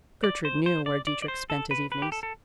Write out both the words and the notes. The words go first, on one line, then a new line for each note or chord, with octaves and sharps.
Gertrude knew where Dietrich spent his evenings.
D5
C5
C5
D5
D5
D5
C5
A4
B4
B4
G4
A4
A4